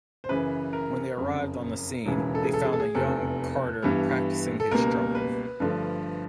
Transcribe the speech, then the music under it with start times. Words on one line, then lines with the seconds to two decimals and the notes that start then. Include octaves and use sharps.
When they arrived on the scene, they found the young Carter practicing his drumming.
0.24 C5
0.29 F#2 C#3 E3 B4
0.73 A#4
1.17 F#1 F2 C#3
2.05 E1 D#2 C#3 E3
2.35 A4
2.44 G#4
2.54 A4
2.65 G#4
2.73 A4
2.80 G#4
2.94 F1 E2 C3 A4
3.82 G2 E3 G3 B3
4.60 A4
4.71 C#2 B2 G3 A#3 A#4
5.15 B4
5.60 G2 D3 F3 A3